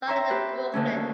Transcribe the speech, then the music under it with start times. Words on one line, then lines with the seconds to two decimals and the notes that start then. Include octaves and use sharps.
Saw it in Brooklyn.
0.07 C#5 E5 G5 A#5 C6 C#6
0.30 G4 B4 C5
0.73 D#2 D3 A3 C#4